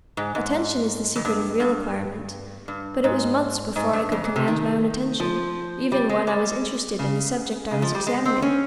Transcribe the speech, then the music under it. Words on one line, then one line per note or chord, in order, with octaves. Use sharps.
Attention is the secret of real acquirement; but it was months before I could command my own attention, even when I was interested in the subject I was examining.
G#2
G#2
F2
G2
G2
G2
G#2
G#2
G2
F2
G#2
C3
D#3
F3
G3
G#3
G3
C#3
C#3
F3
G3
G#3
C4
C#4